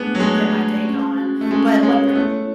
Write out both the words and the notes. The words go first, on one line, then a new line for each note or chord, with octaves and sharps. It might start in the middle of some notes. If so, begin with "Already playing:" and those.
get my day going. But what, uh
Already playing: G#3 A3 B3 D4
F#3
G#3 A3
G#4
C#4
F#4
A3
G#3 C#4
G#3 C#5
B3
A3 E4